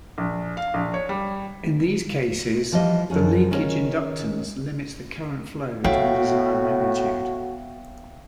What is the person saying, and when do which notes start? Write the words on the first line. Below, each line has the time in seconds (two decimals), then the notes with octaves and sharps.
In these cases, the leakage inductance limits the current flow to the desired magnitude.
0.18 A#1
0.57 F5
0.74 A#1
0.94 C#5
1.09 G3
2.72 E3 F3 G3 E4 D#5
3.10 F#2 F3 F#3 C#4 G#4
3.51 D#3 C#4 F4 G#4 C#5
5.84 A2 B3 F#4 E5 F5 G5